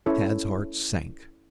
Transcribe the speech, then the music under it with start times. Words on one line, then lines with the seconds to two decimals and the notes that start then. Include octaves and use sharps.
Tad's heart sank.
0.06 C#4 E4 A4 C#5